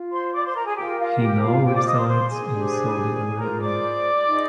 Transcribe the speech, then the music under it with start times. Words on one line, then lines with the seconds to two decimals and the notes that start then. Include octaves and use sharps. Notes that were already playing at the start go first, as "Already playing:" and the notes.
He now resides in Saudi Arabia.
Already playing: F4
0.11 C5 C6
0.33 D5 D6
0.44 C5 C6
0.55 A#4 A#5
0.65 G#4 G#5
0.76 F4 G4 A#4 G5
0.99 F4 F5
1.20 G4 G5
1.42 F4 F5
1.64 F4 G4 C5 G5
1.75 D5 D6
1.86 D#5 D#6
1.97 C5 C6
2.07 C5 C6
2.29 G#4 G#5
2.51 D4 G4 C5
3.38 F4 G#4 A#4 C5 A#5
3.61 D5 D6
4.26 D#4 G#4 C5